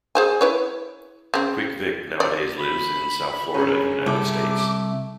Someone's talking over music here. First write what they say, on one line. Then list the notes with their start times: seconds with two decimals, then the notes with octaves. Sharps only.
"Quick Vic" nowadays lives in South Florida, United States.
0.15 G#4 C5 G#5
0.41 E4 B4 C#5
1.34 C#3 C4
2.20 D5
2.57 B5
3.54 G1 F#2 C#4 G#4
4.06 C2 A3 D6